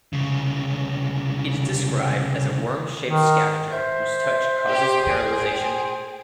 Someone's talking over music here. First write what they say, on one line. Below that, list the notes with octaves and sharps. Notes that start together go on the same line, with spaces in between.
It is described as a worm-shaped scavenger whose touch causes paralyzation.
C2 C#3
D#3
C5 E5
G4
G#4 G5